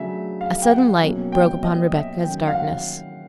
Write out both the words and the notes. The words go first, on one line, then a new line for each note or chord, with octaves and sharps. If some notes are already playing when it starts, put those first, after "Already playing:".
A sudden light broke upon Rebecca's darkness.
Already playing: C#3 F#3 A3 D4 E5
F5
G5
F#5
B2 F#3 A#3 C#4
G5
D#5
E5
D#3 F#3 A3 C#4 G5
F5
F#5